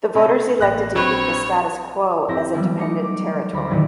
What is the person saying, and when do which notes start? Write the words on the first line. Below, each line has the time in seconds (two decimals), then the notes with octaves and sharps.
The voters elected to keep the status quo as a dependent territory.
0.15 C3 A3 C#4 E4 D#5
0.59 A1 A#3 F#6 A#6
0.95 A#1 F#3 C4 B4 C#5 G5
2.28 F1 C4 E4 G4 G6 A#6
2.54 E3 F#3 G3 B3 E4
2.77 A3 C#4 D#4 D6 A#6 C#7
3.04 D6
3.53 D2 B5 D6 A#6
3.70 E2 A#2 D3 D#3 F#3